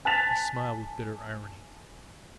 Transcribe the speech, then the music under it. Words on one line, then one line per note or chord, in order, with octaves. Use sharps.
He smiled with bitter irony.
G#5 A5 F#6 A6 B6 F7